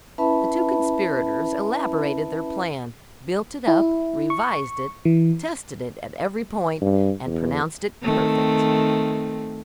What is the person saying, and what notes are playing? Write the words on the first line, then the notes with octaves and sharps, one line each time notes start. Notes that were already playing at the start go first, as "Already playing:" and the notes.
The two conspirators elaborated their plan, built it up, revised it, tested it at every point, and pronounced it perfect.
C#4 E4 B4 E5 A5 B5
E4
C#6
E3
G2
E2
D#3 A3 C4